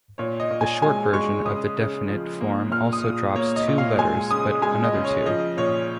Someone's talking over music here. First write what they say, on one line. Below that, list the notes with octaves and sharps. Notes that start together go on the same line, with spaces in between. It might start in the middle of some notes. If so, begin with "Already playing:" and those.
The short version of the definite form also drops two letters, but another two.
A#2 C#5
D#5
A#2
G#5
G#3 G#5
G#3 C#6
C#3 D#6
C#3
F3
A#3
A#2 F6
D#6
A#2
A#3 C#5
D#5
A#2
F5
G#3 G#5
C#3 D#6
G#3 G#5
D#5
C#3
C#5
F3 D#5
A#2 C#5